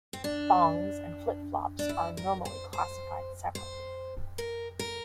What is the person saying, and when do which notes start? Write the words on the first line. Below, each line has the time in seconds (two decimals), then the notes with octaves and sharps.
Thongs and flip flops are normally classified separately.
0.13 C4
0.24 D4
1.79 D4
1.89 E4
2.17 A#4
2.45 C5
2.73 C5
3.55 C5
4.38 A#4
4.79 A#4